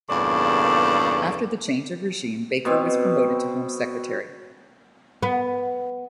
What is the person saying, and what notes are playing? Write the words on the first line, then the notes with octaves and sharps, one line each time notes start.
After the change of regime Baker was promoted to Home Secretary.
E2 G2 A#2 C#3 A4 D5
B2 C4
B3